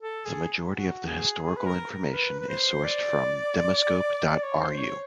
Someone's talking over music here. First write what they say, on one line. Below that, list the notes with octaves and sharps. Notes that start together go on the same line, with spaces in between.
The majority of the historical information is sourced from "Demoscope dot ru".
A4
G#4
F#4
G#4
G#4
B4
A#4
A#4
B4
B4
C5
D5
D5
C#5
C5
C#5